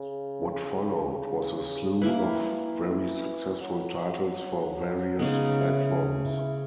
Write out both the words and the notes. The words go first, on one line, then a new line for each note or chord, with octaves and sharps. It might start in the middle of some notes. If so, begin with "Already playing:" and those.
What followed was a slew of very successful titles for various platforms.
Already playing: C#3
E3 A#3 E4 B4
F#3
C#3 G#3 B3 D#4
E4
E4